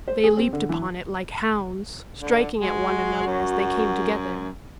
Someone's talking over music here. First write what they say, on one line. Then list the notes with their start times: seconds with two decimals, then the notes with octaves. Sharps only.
They leaped upon it like hounds, striking at one another as they came together.
0.08 C5
0.24 G#4
0.37 C4
0.53 D3
0.69 E3
2.21 D3
2.61 G#3 F#4
3.26 F#2